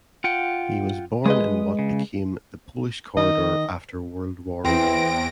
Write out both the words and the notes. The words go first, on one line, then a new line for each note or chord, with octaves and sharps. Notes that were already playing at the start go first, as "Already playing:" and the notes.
He was born in what became the Polish Corridor after World War One.
F4 F#5 G5
G#3 B4 D#5 D#6
C#3
D#3 D#5
E2 E3 C4 G5 A#6 D7